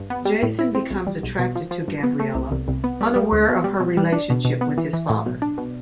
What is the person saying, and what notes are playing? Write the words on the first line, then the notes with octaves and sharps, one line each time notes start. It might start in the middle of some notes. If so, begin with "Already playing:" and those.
Jason becomes attracted to Gabriela, unaware of her relationship with his father.
Already playing: G2
B3
G3
A2
E4
C4
B1
G3
B1
B2
F3
F3
G2
B3
A3
C2
C2
C2
B3
G3
G3
D2
B2
G3
B2
G3
D4
B2
B2
B3
E3
E3
A2
B1
D4
B2